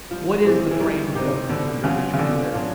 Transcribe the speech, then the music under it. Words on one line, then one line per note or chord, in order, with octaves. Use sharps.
What is the frame of Government under which we live?
F3 G3
E3 C4 D#4 G4
E3
D#3 G3
C4 D#4 G4
B2 D3
C#3 F#3 B3 D4 F4
C#3
B2 D3
F#3 B3 D4 F4